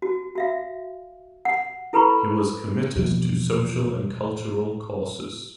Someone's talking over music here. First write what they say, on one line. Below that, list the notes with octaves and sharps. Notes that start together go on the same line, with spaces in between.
He was committed to social and cultural causes.
F#4
F#4 E5 F5
F#5
E4 A4 B4 A#5 B5 C#6
E2 B2 F3 A#3